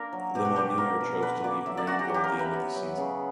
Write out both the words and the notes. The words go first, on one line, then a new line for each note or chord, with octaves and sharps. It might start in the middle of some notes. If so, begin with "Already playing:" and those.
Lemonnier chose to leave Granville at the end of the season.
Already playing: A#3 D4 A#4
F#3
B2 G4
F#4
D4 G4
A#3 A#4
B2
D3 B4
A#3 D5
F#3 E5
D5
C#4 F#4
G4
F#3 G4
A#4
E4
B4
B3
F#3
C#3